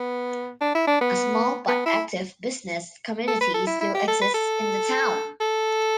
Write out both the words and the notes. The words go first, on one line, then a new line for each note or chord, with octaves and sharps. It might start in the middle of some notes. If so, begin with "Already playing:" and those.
A small but active business community still exists in the town.
Already playing: B3
D4
E4
D4
B3
B3
E4
A4
B4
A4
E4
E4
G4
A4
B4
A4
A4